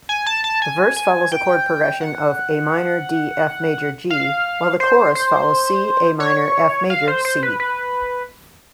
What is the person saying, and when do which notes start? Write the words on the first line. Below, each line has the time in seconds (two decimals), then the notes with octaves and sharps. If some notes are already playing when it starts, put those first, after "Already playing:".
The verse follows a chord progression of Am-D-Fmaj-G while the chorus follows C-Am-Fmaj-C.
0.09 G#5
0.26 A5
0.44 A5
0.62 G#5
0.96 G#5
1.32 G5
2.01 F#5
4.10 F5
4.80 C5
5.15 C5
6.20 C#5
6.90 F5
7.08 C5
7.25 C5
7.43 B4
7.60 B4